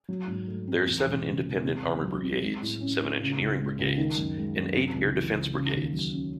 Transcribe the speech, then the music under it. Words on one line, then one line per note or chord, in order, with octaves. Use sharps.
There are seven independent armoured brigades, seven engineering brigades and eight air defense brigades.
F#3
G#2
A3
C4
E2
E1
C#3
E1
C3
C#2
F#3
C4
G#3
A2
C#4
A2
C#3
C#2
G#3
C#2
D#3
F#2
G#3
F#2
C3
C#2
E3
C#2
C#3
D#2
F#3
C#4